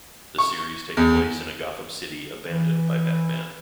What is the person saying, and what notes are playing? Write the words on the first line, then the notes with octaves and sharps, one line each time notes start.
The series takes place in a Gotham City abandoned by Batman.
C#6
E2
E3